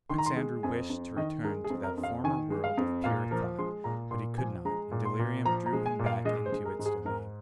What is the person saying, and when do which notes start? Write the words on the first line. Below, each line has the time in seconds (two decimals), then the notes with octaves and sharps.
Prince Andrew wished to return to that former world of pure thought, but he could not, and delirium drew him back into its domain.
0.10 D#3 C6
0.18 A#5
0.26 C6
0.36 G#3
0.63 F2 G#5
0.90 F2
1.16 D#3 D#5
1.44 G#3 A#4
1.64 G#4
1.70 F2
1.83 A#4
1.98 F2
2.03 F5
2.24 D#3 G#5
2.50 G#3
2.64 F5
2.78 F2
3.04 A#2 F5
3.31 F3 A#4
3.59 G#3 C6
3.84 A#2 A#5
4.11 A#2 C6
4.38 F3 G#5
4.65 G#3 A#5
4.91 A#2
5.05 C6
5.19 A#2
5.45 F3 A#5
5.66 A#5
5.73 G#3
5.86 G#5
5.99 A#2
6.06 F5
6.25 G#3 D#5
6.46 C5
6.52 G#3
6.65 A#4
6.79 G#2
6.86 G#4
7.05 G#2 A#4